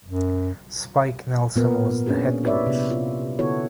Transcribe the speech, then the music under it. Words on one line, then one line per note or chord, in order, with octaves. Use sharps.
Spike Nelson was the head coach.
F#2
A#2 B3 A#4
A#3 C#4 D4 F#4 G#4
E4 G4 B4 C#5 D5 E5
C3 B3
F4
D3 B3 E4 F#4 A4 C#5